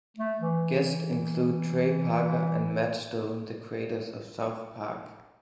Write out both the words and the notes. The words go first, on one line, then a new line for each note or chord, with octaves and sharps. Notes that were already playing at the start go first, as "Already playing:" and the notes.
Guests included Trey Parker and Matt Stone, the creators of "South Park".
A3
E3